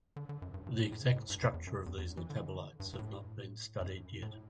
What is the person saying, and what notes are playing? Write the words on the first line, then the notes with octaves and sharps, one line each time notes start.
The exact structure of these metabolites have not been studied yet.
D3
D3
F#2
G2
G2
A2
A2
C#3
B2
A2
G2
F#2
E2
F#2
E2
E2
F#2
E3
D3
E3
D3
G2
G2
A2
F#2
G2
A2